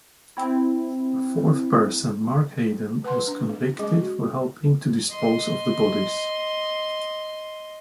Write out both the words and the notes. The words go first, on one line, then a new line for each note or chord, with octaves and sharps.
A fourth person, Mark Haydon, was convicted for helping to dispose of the bodies.
C4 E4
B4 F#5 A5 C6
D4
A#3
G#3 C#4 G#4 D#5
F#4
D#5 C6